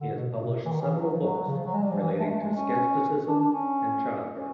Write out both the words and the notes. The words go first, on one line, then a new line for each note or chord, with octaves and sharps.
He has published several books relating to scepticism and childbirth.
D3
B2
B2
C3
E3
D#3
E3
F#3
F3
F#3
F#3
C#3
F3
F#3
G#3
G3
F3
E3
F3
A3
G#3
A3
G#3
C#4
D4
D4
C#4
C#4